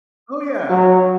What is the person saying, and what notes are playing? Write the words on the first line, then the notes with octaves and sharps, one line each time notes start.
Oh, yeah.
F#3